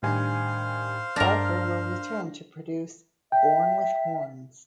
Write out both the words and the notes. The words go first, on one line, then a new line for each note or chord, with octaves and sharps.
Barker will return to produce "Born with Horns".
A2 D#3 G3 D4 C5 F5 G#5
G2 D4 A#4 E6 F6 A#6
E5 G5